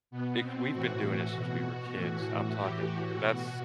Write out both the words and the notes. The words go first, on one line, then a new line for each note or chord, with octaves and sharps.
like, we've been doing it since we were kids, I'm talking that's
B2 B3
C4
A2 E3 F#4
B2
A2 E3
A2 E3 G4
F#4
B2